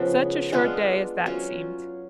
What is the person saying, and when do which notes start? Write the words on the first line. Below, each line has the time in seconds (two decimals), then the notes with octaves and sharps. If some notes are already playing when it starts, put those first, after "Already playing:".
Such a short day as that seemed!
Already playing: C#3 F3 G#3 B3
0.52 G#3 B3 D4 F4
1.26 F#3 C#4 F4